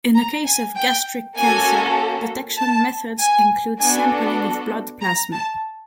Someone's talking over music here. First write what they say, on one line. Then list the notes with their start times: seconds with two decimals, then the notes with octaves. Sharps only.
In the case of gastric cancer, detection methods include sampling of blood plasma.
0.15 A#5
0.45 G#5
0.76 G5
1.36 A#3 C#4 F#4 A4 G#5
2.58 A5
3.19 G#5
3.80 B3 D4 F#4 A4 G#5
5.01 A#5
5.32 A5